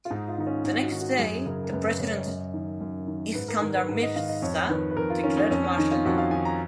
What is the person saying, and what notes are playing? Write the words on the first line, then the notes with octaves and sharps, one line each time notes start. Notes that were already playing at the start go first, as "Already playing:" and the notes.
The next day, the president Iskandar Mirza declared martial law.
F4
G#2 D#4
F4
D#3 D#4
C#4
G#2 D#4
F#4
D#3
F#4
F#2 G#4
C#3 A#4
A#4
F#2 B4
B4
C#3 C#5
D#5
F#2
D#3
F#2
D#3
G#2 B4
A#4
D#3 A#4
B4
G#2
D#5
D#3 F5
D#5
F2 C#5
D#3 B4
B4
F2 A#4
F4
D#3 C#4
D#4
F2 C#4
C#4
D#3 D#4
F4
F2 F#4
F5
D#3 G#5
A#5